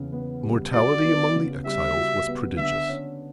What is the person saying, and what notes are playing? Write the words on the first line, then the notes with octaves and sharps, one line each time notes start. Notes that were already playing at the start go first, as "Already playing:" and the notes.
The mortality among the exiles was prodigious.
Already playing: E2 C#3
B3
G3
F#4 D5
B3
C#3
G3 E5
F#4
B3
D3 E5
C#4